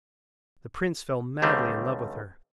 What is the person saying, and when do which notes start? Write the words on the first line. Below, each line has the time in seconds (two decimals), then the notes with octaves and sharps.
The prince fell madly in love with her.
1.42 C#2 D3 D#3 G3 A3 C4